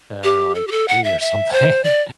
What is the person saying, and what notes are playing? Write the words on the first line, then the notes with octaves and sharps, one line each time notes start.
that are, like, free or something,
G4
A4
G4
A4
F#5
E5
E5
C5
D5